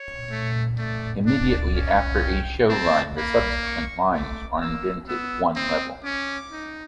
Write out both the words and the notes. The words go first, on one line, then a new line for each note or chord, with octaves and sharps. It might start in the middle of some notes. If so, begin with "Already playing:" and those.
Immediately after a "Show" line, the subsequent lines are indented one level.
Already playing: C#5
A3
A3 D5
D4 D5
C#4
G5
C4 A5
A#3 B5
C#6
A3 D6
A#3 E6
B3 E6
C4 D#6
C#4 D6
D#4